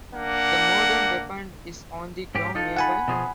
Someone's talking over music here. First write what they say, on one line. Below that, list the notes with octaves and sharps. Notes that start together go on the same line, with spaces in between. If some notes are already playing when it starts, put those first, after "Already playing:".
The murder weapon is on the ground nearby.
A#3 D4 F#5
G#2 C#4 G4
D#4 F4 A4
F#5 G#5 B5
B2 F3 G#4